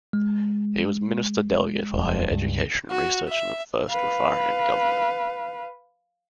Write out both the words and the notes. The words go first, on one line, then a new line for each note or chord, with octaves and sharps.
He was Minister Delegate for Higher Education and Research in the first Raffarin government.
G#3
D#1 F2
C#2 G2
F#4
E5
B4 F5